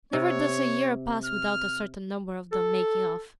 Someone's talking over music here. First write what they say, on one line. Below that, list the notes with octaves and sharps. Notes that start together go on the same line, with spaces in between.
Never does a year pass without a certain number of them making off.
C3 C#5
F6
A4